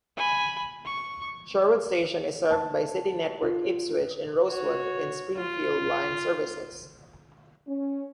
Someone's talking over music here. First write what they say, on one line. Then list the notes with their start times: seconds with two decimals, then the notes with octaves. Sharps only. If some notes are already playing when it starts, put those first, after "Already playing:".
Sherwood station is served by City network Ipswich and Rosewood and Springfield line services.
0.17 G#5 B5
0.85 C#6
2.51 A5
3.42 F4
4.49 F#4 C#5
5.37 F4
7.67 C#4